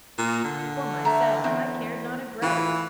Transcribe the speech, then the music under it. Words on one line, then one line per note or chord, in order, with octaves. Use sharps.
For myself, I cared not a groat.
A#2
D3
A3 A#5
E2 C4
A2 E3 F4